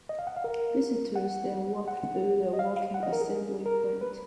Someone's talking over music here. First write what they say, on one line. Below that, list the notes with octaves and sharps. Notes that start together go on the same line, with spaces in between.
Visitors then walk through the working assembly plant.
D#5
F5
F#5
F5
A#4
F#5
F#5
D#5
F5
F5
F#5
D#5
A#4
G#4
A#4
B4